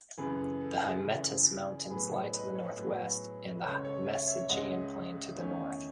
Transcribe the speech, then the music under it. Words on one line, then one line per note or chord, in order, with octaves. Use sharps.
The Hymettus mountains lie to the northwest and the Mesogeian plain to the north.
F#2 C#3 E3 G#4 B4
A4
A4
G#4
F#2 C#3 E3 A4
A2 F#3 B3 G#4 B4
A4 C#5
B4 D#5
A4 C#5
A2 F#3 B3
B4
C#2 C#3 G#3 A4 C#5
A4 C#5
C#5 E5
C#5 E5
C#2 C#3 G#3 D#5 F#5
E2 D#3 A3 C#4